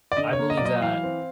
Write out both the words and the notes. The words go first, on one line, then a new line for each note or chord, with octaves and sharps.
I believe that,
D5
D3 D#5
C#5
A#3
D#5
D5
F#3 D#5
E3 F5
C4